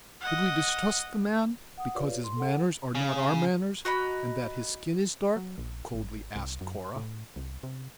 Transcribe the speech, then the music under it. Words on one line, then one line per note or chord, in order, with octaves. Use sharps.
"Should we distrust the man because his manners are not our manners, and that his skin is dark?" coldly asked Cora.
D#5 F#5
F#5 D#6
F4 G4 B4 C#5 D5 F5
C6
A4 F#5
C#3
F#4 D#5 A#5 B5
F#3
A#1
G#1
C2
F#2
A2
C2
C3